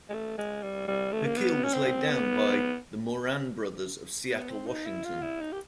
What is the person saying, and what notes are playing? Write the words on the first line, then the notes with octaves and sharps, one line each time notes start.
Her keel was laid down by the Moran Brothers of Seattle, Washington.
G#3
A3
G#3
G3
G3
A3
A#3
B3
C#4
C4
B3
B3
C4
D#4
E4
F4
E4
D#4
G4